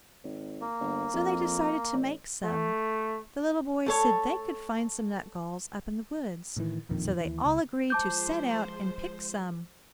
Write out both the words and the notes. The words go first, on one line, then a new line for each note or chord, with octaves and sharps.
So they decided to make some. The little boys said they could find some nutgalls up in the woods. So they all agreed to set out and pick some.
G#1
A#3
G1
F2
A1
A3
A3 A4 C#5
A2 D#3 E3
E1 A#1 F2 D#3
D#2 E3
C#2
F3 G#3 C5 A5 D6 G6